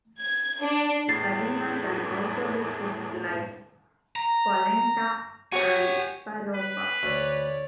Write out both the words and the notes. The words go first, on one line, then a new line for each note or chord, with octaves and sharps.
Farina can also be cooked like polenta and farofa.
G#6
D4
E2 A2 A6 C7
A#5
F#4 G4 C#5 G#5
B4
D2 C#5 D5